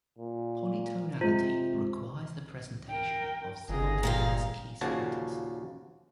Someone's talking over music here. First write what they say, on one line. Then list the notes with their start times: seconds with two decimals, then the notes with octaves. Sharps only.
Polytonality requires the presentation of simultaneous key-centers.
0.18 A#2
1.21 C3 G#3 F4 C5
2.89 A#4 G5
3.69 G1 G#4 A#5
4.03 A#2 G4 F5
4.81 D#2 A#2 C#3 F3 F#4 A5